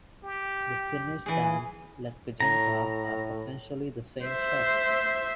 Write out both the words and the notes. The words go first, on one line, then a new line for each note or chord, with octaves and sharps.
The Finnish dance Letkajenkka has essentially the same steps.
G4
E3 G#4
A2 A#5
C5 E5